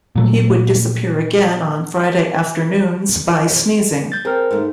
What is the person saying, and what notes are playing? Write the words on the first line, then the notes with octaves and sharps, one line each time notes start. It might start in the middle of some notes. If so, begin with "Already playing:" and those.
He would disappear again on Friday afternoons by sneezing.
A#2 F#3 A3
G6 A6
C4 G#4 A#4 F6
G#2 A3